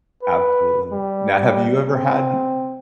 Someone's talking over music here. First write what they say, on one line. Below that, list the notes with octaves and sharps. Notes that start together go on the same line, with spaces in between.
Absolutely. Now, have you ever had n
B4
G3
C4